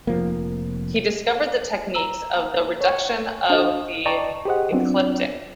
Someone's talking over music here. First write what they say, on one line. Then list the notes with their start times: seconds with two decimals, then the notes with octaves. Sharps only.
He discovered the techniques of 'the reduction of the ecliptic'.
0.07 F1 F3 A#3
1.95 A#5 E6
2.81 C#5
3.50 D4 F#4 A4 C5 D#5 A5
4.05 D5 D#5 G5 A5 A#5 C#6
4.45 G4 G#4 C5 D#5 F#5
4.72 F#3 B3 C4 D4 F4